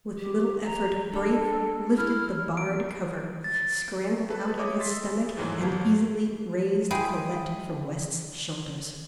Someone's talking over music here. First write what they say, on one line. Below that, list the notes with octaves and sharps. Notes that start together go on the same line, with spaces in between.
With little effort Braith lifted the barred cover, scrambled out on his stomach, and easily raised Colette from West's shoulders.
G4
A#5
D4 A4
E4 F6
D7
A6
A4 B4 A5
C#5 D#5 E5 D6 D#6
C6 E6 A6 B6
G#3
D#2 G#2 E3 F#3 G#3 A3
G1 A5
G#3 E4 G5 B5